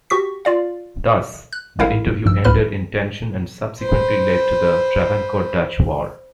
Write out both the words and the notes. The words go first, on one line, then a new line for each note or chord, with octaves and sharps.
Thus, the interview ended in tension and subsequently led to the Travancore-Dutch War.
F#4 G4 C#6 B6
F4 D5 F5
F#6
A1 G#3 E4 A#4 F5
A#1 G2 E6
C#2 G#2 A#3 B4 B5 F6
B4 C5